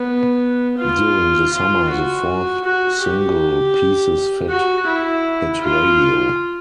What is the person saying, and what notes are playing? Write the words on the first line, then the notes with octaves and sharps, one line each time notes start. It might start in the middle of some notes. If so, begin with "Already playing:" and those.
During the summer the fourth single "Pieces Fit" hit radio.
Already playing: B3
F4
F4
F#4
F#4
G4
F#4
E4
F4